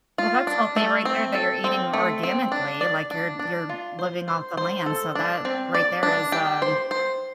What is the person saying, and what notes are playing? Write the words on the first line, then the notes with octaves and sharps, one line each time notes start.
Well, that's healthy right there that you're eating organically, like, you're you're living off the land, so, that right there is, um,
F4
D4
A3
C4
A4
C4
A3
C4
D4
D5
D4
D4
F4
C5
C5
C5
A4
D4
C4
D5
D4
G4
C5
C5